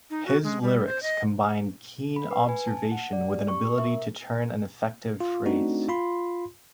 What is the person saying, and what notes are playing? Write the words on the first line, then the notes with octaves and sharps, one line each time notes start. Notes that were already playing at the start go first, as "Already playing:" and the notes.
His lyrics combined keen observation with an ability to turn an effective phrase.
D#4
F#4
G#3
G3
C5
D#5
B5
B4
G#5
A5
F#5
D5
G4
C#6
A#4
E5
F4
A3 C4 D4 D#4 F#4
F4 B5 C6